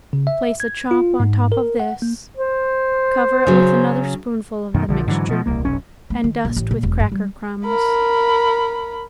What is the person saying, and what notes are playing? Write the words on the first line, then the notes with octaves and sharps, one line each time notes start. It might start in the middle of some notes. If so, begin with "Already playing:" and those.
Place a chop on top of this, cover it with another spoonful of the mixture and dust with cracker crumbs.
C#3
E5
G#6
F4
G#2
A#4
F#5
A#3
C5
C#3 F#3
F#2 B2 D#3
A#1 D3 F3
G#2 D3 E3 F#3
B2 F3
D#1 C2 A#3
F1 B1 C#4
A3
D#3
A#1
A1
A#2
E1
G2
G3
A#4 B5